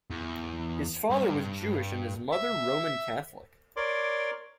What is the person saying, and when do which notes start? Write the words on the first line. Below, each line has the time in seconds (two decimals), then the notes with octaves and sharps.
His father was Jewish and his mother Roman Catholic.
0.10 E2
1.10 G2
2.33 E5
3.77 A#4 C#5 D5 C6 D6